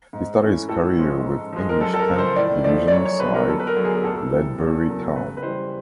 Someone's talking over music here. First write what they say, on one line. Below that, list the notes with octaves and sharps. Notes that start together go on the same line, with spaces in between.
He started his career with English tenth division side Ledbury Town.
G#2
E3 A3 C#4
A2 A4
F3 G#3 C#4
G#2
F3 G#3
A#4
F#2 A4
A4
A#4
C#3 F3
C5
A2 D5
F3 A3 D5
D5
F#2 C#5
C#5
D3 G3 B3 B4
A#4
F#2 A4
B4
A#4
D3 F#3 B3
G#4
G#4
D2 A4
C3 E3
E2
C#3 F#3 A#3
C#3 B4
B4
E3 G3 C5